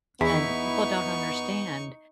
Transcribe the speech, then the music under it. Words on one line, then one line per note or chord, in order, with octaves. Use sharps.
And people don't understand
E2 B3 D#4 E4 C#6